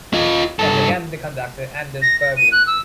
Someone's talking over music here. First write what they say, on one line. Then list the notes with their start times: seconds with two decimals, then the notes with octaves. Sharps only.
Once again, the conductor, Anders Berglund.
0.14 F4 D#5
0.59 G2 A4
2.02 A#6
2.20 A#6
2.36 D#7
2.52 F#6
2.67 E6